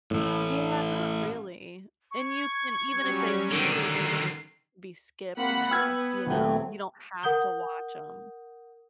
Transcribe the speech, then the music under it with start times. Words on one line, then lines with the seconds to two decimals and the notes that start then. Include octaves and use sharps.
Yeah, not really. And you can even if they do, they can just be skipped now, you know, you don't have to watch 'em.
0.11 A1 A2
2.11 C#6 G#6
2.90 F#3 G3 C#4
3.52 D3 D#3 C7
5.37 A#3 C4 F#5 B5
5.70 B3 G5 E6 G#6
6.26 D#1 F#3 A3 C4 F#5
7.23 A#4 F#5 D#6 G6 G7